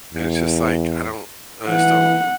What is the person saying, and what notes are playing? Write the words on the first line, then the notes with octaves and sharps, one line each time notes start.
and it's just like, I don't I just don't
E2
E3 F#5